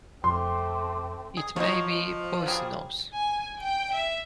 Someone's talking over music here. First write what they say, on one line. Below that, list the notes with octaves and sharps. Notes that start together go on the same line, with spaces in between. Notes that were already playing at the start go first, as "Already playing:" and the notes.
It may be poisonous.
F2 A3 C4 C6 D6
G#4
B2 F3 F#3 D#4 C#5
F#3 G3 G#4
G#5
G5
E5